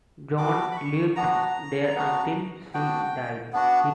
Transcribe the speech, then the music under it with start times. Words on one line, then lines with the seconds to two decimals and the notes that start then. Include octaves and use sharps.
John lived there until he died.
0.38 G3 B3 D4 F#4 D6
0.72 B5
0.77 C#6
1.16 B3 D4 F#4 A#5
1.96 B3 D4 F#4
2.73 B3 D4 F#4 G5
3.53 B3 D4 F#4